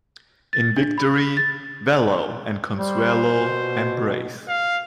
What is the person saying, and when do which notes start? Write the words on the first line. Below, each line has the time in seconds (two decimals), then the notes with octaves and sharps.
In victory Vallo and Consuelo embrace.
0.53 A6
0.77 D4
0.98 B5
1.37 A6
2.77 G3 C5
3.30 B2
4.49 F5